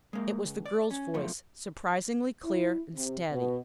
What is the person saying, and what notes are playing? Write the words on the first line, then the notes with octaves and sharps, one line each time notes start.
It was the girl's voice, surprisingly clear and steady.
G#3 A#3
C#2
D5
C#4
F#2 B2 F3 A3
E4
C3
B2